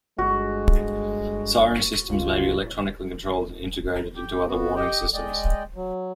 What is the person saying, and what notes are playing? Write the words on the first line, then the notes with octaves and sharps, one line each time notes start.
Siren systems may be electronically controlled and integrated into other warning systems.
G1 G#3 F#4
C#2 F4
G4 G5
B3 F#4
G4 D#5 G5
G#3 D5 D#5 G5
F#3